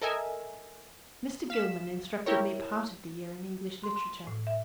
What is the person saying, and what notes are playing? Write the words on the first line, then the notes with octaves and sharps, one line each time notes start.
Mr. Gilman instructed me part of the year in English literature.
A4 A#4 D#5 E5 G#5
F5 B6 E7
E4 G4 A#4 C#5
C6
C6
A2
E5